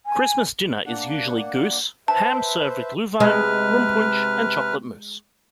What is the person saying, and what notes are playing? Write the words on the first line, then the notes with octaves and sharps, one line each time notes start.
Christmas dinner is usually goose, ham served with Gluhwein, Rumpunsch, and chocolate mousse.
G#5
A#3 D4 F#5
B4 C5 E5 A5
C3 G#3 B4 F6